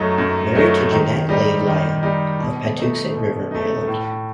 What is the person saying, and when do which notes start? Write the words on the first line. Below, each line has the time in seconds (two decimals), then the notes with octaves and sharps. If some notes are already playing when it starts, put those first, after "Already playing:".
Married to Janet Leigh Lyon of Patuxent River, Maryland.
Already playing: F#2 F#3 A3 D#4
0.18 F#2
0.55 F#3 A3 D#4
0.92 D#3
1.29 G3 D#4
1.66 D#3
2.03 G3 D#4
2.40 B2
2.77 A3 D#4
3.14 B2
3.51 A3 D#4
3.88 A2